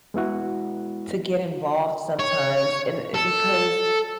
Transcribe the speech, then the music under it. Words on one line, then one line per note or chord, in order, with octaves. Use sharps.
to get involved sometimes in uh, because
G#3 B3 E4 F#4
C#5
A4